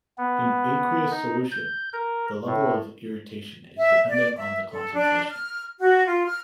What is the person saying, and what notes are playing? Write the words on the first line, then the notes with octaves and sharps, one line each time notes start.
In aqueous solution, the level of irritation is dependent on the concentration.
B3
D#4
G6
A#4
A2
E5
D5
E5
A4
D4
F6
F#4
F4
F6